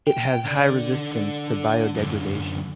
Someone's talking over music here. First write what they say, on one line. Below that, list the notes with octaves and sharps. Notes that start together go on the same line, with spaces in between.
It has high resistance to biodegradation.
G5
D3 D5
F#2 D3